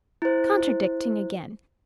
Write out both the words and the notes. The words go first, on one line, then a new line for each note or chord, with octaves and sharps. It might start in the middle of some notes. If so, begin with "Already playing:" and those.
Contradicting again!
E4 C5